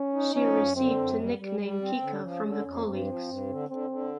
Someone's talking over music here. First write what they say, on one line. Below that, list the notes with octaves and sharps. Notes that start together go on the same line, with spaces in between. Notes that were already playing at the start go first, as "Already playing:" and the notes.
She received her nickname "Kika" from her colleagues.
Already playing: C#4
D#4
F3 C#4
F#2
D3 C4
F#2
G3
G3
G3
C4
D3 C#4
F3
D3
F2
G2 C4
F3
G2
D3
D3 C4
D3